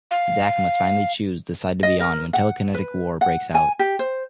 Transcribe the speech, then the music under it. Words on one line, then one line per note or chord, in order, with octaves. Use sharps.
Zach must finally choose the side to be on when telekinetic war breaks out.
F5
D#5
A#4
F#5
B4
F#5
G#5
G4
C5